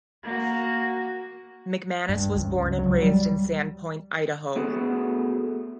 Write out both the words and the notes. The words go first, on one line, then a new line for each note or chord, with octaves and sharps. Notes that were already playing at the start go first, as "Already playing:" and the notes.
McManus was born and raised in Sandpoint, Idaho.
A#3 F#4
G2
C#2
F#3
G3
A3 B3 F#4 G#4